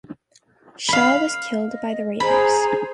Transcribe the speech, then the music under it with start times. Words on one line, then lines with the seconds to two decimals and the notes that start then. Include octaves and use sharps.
Schaw was killed by the raiders.
0.89 F5 B5
1.69 D#5
2.20 G#4 C5 A#5 B5